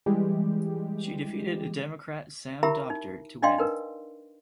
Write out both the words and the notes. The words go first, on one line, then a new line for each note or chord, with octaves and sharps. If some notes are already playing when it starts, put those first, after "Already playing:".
She defeated Democrat Sam Doctor to win.
E3 G3 G#3 G4
E4 G4 A#4 E5 A#5 B5
D#4
D4 D5 D#5 F5 G5 C6
D#4 A#4 B4